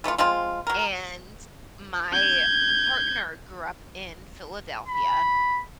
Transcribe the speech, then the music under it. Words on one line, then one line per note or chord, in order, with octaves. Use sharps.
and my partner grew up in Philadelphia,
E3 A3 D#4 F4
F3 G#3 C4 F4
F#3 A#4
G6 G#6
B5